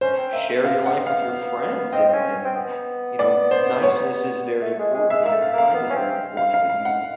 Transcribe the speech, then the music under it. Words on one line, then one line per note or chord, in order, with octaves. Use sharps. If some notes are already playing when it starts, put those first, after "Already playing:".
share your life with your friends, and and you know, niceness is very important. Being kind is very important, but you
C#4 C5
C4
A#3 E5
A3
B3 F5
F#5
F5
C4 D#5
C4
C#4
C4
B3
D5
C5
C#5
A3
G#3
G#3
G#3 E5
A#3 E5
A3
F5
A#3 F5
B3
C#4
C4
F5
F5
F5
F#5